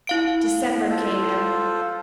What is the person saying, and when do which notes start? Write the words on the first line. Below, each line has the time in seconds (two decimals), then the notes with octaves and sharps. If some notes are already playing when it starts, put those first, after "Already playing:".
December came in.
0.07 E4 F5 D7
0.88 F4 A4 C5